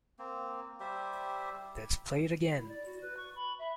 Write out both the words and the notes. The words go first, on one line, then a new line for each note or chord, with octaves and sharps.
Let's play it again!
A#3 C4
G3 G4 C5 E5
E4
D5
F#4
B4
C#6
B5
E5